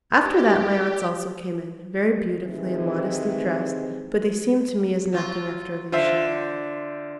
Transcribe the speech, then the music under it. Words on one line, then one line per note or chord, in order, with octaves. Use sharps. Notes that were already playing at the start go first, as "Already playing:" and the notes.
After that my aunts also came in, very beautifully and modestly dressed, but they seemed to me as nothing after Alicia.
G4
C3 D#3 E3 G#3 C4
F#3 F4
D3 F4 C5 E5